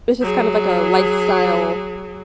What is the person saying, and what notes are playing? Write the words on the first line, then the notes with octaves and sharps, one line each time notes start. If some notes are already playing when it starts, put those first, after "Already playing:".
It's just kind of like a lifestyle
F#3 G#4